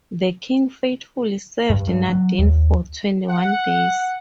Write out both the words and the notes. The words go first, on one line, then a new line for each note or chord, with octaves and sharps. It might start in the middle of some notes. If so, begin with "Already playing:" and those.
The king faithfully served Nandini for twenty-one days.
G2
G2
F#3
D#2
F#5